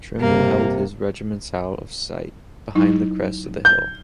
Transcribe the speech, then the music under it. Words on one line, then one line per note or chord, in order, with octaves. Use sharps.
Trimble held his regiments out of sight behind the crest of the hill.
G2 C3 A#3
F#3 D#4 E4
G6